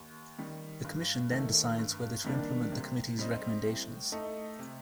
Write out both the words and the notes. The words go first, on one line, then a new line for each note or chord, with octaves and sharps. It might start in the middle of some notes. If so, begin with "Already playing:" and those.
The Commission then decides whether to implement the Committee's recommendations.
Already playing: D#2
D#3 G3
G2
D#3 A3
G2
D#3 G3 A#3 D4
C3
G3 C4 D#4
A2
A3 D#4
C3